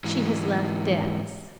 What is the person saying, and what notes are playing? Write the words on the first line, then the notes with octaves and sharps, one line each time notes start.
She has left debts.
G#2 E3